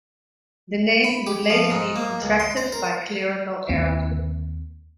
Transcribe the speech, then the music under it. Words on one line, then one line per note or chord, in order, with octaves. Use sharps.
The name would later be contracted by clerical error.
B5
G4
F3
G#2
A#3
C#2
C6
C5
A#4
D#2 A#3 C4